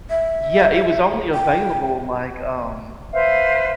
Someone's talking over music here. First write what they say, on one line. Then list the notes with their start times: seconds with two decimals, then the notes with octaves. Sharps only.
Yeah. It was only available, like, um
0.10 E5
1.34 G5
3.13 B4 C5 E5 F5